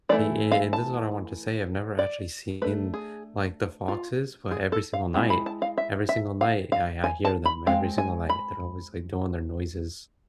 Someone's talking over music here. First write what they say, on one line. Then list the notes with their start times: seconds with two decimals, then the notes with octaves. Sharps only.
an an and this is what I wanted to say I've never actually seen like the foxes, but every single night, every single night, I I hear them every single night. They're always like doing their noises,
0.09 E3 A3 E4 D5
0.52 F5
0.73 A5
1.99 D5
2.62 A3 D4 B4
2.94 G#4
3.88 F4
4.51 G#4
4.72 A4
4.93 F5
5.14 G#3 C4 E4
5.30 B5
5.46 A5
5.62 F5
5.78 E5
6.09 E5
6.41 F5
6.72 F5
7.04 G#5
7.25 A5
7.45 B5
7.67 G#3 C4 F5
7.98 G#5
8.29 B5